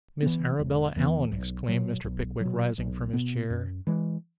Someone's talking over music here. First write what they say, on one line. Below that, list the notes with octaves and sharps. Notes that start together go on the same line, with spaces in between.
'Miss Arabella Allen!' exclaimed Mr. Pickwick, rising from his chair.
E3 B3
E1
E2 E3 B3
B1
B2 F#3
B1
B2 F#3
B1
B2 B3
F#2
E3 G#3